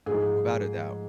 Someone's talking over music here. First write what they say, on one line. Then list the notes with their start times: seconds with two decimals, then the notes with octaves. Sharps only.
Without a doubt.
0.06 G#2 F3 G#4